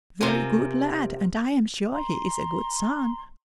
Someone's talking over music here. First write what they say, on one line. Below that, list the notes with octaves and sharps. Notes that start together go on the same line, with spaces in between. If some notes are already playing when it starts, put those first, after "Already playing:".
'A very good lad, and I am sure he is a good son.'
C3 F4 A#4 G#5
A#5 C6